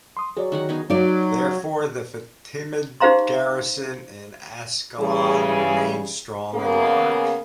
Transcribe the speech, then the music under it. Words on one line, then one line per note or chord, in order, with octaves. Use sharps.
Therefore, the Fatimid garrison in Ascalon remained strong and large.
C6 D#6
F#3 G#4 C#5 D5
D#3 F#4 F#5
B3 D#4 G#4
F#3 D#4 D5
D#4 G4 C5 F5 A#5 C6
C#3 E3 G3 G#4
C#3 A#3 B3 G#4